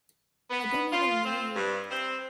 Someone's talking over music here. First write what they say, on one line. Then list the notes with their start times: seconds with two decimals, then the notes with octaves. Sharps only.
I don't even know you.
0.51 B3
0.92 F4
1.25 C4
1.56 G2
1.91 C4